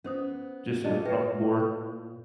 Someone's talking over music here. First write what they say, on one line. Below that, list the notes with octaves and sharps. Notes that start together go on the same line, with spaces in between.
Just across the board?
B3 C#4 C5 D#6
A#2 D5 D#5 A5
B4 E5 G5